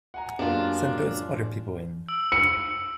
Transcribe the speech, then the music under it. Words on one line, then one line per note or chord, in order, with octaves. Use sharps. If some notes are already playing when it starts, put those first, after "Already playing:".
Send those other people in.
F#5 G#5 A#5
F#2 A#3 D4 F4 G4
E6 D7 F#7
C#7